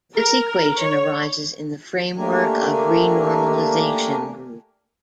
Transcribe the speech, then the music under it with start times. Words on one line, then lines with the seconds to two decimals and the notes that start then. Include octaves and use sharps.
This equation arises in the framework of renormalization group.
0.15 A#4
0.78 C#5
2.17 A3 A#3 D4 G4 A#4 G#5